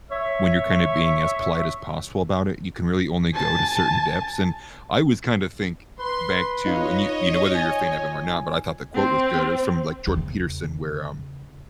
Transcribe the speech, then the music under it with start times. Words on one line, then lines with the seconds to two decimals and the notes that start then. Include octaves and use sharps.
when you're kind of being as polite as possible about it, you can really only go to certain depths, and I always kinda think back to and you you know, whether you're a fan of him or not, but I thought the quote was good. It was from, like, Jordan Peterson where, um,
0.11 C#5 E5
3.33 G#5 A5
6.00 B4 C6
6.66 D#4 F4 C#5 D#5
7.55 G#5
8.94 C4
10.07 E2 C#3